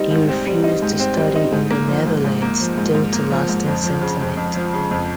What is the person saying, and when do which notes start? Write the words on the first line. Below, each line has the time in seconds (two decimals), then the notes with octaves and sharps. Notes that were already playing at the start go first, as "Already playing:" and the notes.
He refused to study in the Netherlands due to lasting sentiment.
Already playing: G3 C4 D#4
0.11 G#2
0.29 C4
0.47 G3
0.64 D#4
0.82 G#2
1.00 C4
1.17 G3
1.36 D#4
1.52 G#2
1.71 A#3
1.88 F3
2.06 G#2
2.24 G#2
2.42 A#3
2.60 F3
2.77 G#2
2.95 G#2
3.13 A#3
3.31 F3
3.49 G#2
3.66 F2
3.84 F3
4.01 C#3
4.20 F2
4.37 F2
4.55 F3
4.74 C#3
4.91 F2